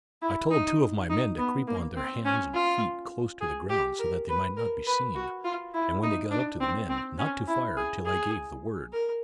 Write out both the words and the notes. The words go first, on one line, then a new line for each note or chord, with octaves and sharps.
I told two of my men to creep on their hands and feet close to the ground, so that they might not be seen, and when they got up to the men, not to fire till I gave the word.
E4
D#4
D#4
B3
A#3
C4
C#4
F4
G#4
G4
A#4
B4
A#4
B4
F#4
F4
E4
D#4
D4
C4
C4
C#4
E4
G#4
G#4
A#4